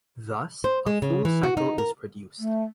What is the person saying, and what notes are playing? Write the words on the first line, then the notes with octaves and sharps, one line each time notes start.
Thus, a full cycle is produced.
C5
G#3
C#3
E3
F#4
D#4
A#4
A3